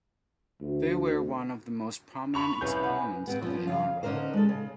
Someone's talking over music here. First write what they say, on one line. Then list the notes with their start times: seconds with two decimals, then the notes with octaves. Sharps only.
They were one of the most prominent exponents of the genre.
0.61 D2
2.34 B5 C#6 F7
2.61 C2 C#4 B4 G6
2.83 F#5
3.28 B3 C4
3.42 F3 C#4
3.67 C#3 F5
4.03 D3 C#4 D#4 A#4 C5
4.33 G#3 A4
4.49 C#3